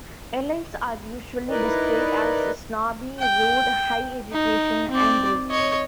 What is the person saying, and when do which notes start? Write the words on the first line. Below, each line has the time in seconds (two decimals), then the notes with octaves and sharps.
Elites are usually displayed as snobby, rude, high education and rich.
1.49 D#4 E4 A#4 B4 D5 D#5
3.20 G5
4.32 D#4
4.91 C4 D5
5.50 C#5 D#5